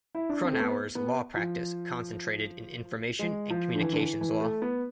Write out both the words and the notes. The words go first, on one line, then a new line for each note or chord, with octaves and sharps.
Cronauer's law practice concentrated in information and communications law.
E4
D4
C4
A3
B3
B3
F3
G#3
F3
D3
E3
D3
E3
E3
A3
B3